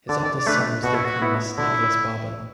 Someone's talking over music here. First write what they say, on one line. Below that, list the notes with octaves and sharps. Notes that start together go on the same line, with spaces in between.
His eldest son was the economist Nicholas Barbon.
D3 D5
D5
D5
A3 D4 B4
B2 F#4
E4
F#4
B3 E4
D3 E4